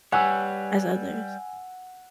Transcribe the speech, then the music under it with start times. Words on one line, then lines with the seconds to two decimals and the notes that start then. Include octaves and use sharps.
as others.
0.12 G3 B4 C#5 F#5 G#5 E6